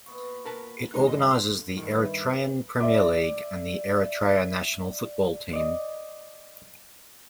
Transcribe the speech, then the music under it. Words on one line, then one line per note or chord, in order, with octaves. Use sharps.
It organizes the Eritrean Premier League and the Eritrea national football team.
A#2 B3 C#6
A#4 B4 A5
E3 G3 G#3 D4 D#4
G2 D3 F4 A4 D#5
C6
G2 B2 D#3 E4 D6
D5 E5 D6
D5 D#5